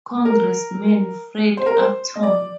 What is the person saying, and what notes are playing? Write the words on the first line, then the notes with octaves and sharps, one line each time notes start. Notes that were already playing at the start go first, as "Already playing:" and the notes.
Congressman Fred Upton.
A#4
C5
A#4
C5
D#5
D5